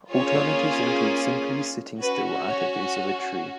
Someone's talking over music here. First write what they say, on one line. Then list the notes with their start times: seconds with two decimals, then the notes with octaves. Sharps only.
Alternatives include simply sitting still at the base of a tree.
0.12 A#3 C#4 F4 G#4 C#5
2.01 C#4 F#4 B4
2.49 C#5